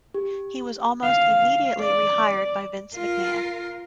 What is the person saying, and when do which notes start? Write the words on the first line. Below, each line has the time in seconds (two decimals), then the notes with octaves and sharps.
He was almost immediately re-hired by Vince McMahon.
0.14 G4
1.03 F5
1.80 D5
2.94 F4 A#4